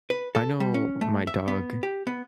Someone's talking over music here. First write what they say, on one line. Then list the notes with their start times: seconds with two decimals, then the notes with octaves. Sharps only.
I know my dog,
0.10 B4
0.35 A4
0.60 G3
0.74 C#4
1.01 A3
1.27 E5
1.48 B3
1.83 G4
2.07 B3